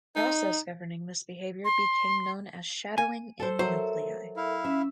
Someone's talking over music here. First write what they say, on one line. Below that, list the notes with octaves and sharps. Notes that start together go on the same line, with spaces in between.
The process governing this behavior became known as shadowing in nuclei.
D#4
C6
G#5
A4 C5
F#3 A4 A#4 C5 E5
E4 F5
C#4 E5